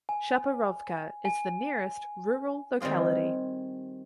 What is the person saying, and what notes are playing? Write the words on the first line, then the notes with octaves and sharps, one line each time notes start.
Shaparovka is the nearest rural locality.
G#5
G#5
D#3 G3 C4 F4 G#4